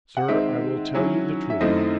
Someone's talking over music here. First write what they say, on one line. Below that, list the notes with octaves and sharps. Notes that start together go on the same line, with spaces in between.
'Sir, I will tell you the truth.
F#5
D#3 G#3 C4 D#4 E5
D#3 F#3 C#4 E4
E5
F#2 D#3 A3 C4 E4 D#5